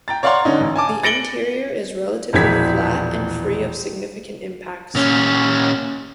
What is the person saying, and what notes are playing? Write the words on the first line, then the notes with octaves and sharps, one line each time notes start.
The interior is relatively flat and free of significant impacts.
G5 A#5 A6
C#5 D5 F5 F#5 A#5 C6
D3 C#4 D#4
A1
G#5 A5 D6
A6 A#6 C#7 D7 F#7 G7
E1 A#1 E3 G#4 G#6 B6
A#2 C#4